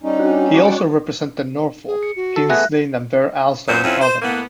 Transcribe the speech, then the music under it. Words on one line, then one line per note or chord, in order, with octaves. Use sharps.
He also represented Norfolk, King's Lynn and Bere Alston in Parliament.
G3 C#4 D#4
D4 F#4
F#4 C#5 D5
G#4
C#7
F#4
A4
A3 B3 G#4 E5 F#6 A#6
F#2 A#2 B3 C5
F2 C4 C#4 E4 F4
C5
A2 A#3 B3